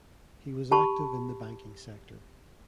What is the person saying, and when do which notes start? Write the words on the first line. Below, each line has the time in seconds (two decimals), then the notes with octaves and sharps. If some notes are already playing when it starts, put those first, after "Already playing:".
He was active in the banking sector.
0.71 G4 A5 B5 C#6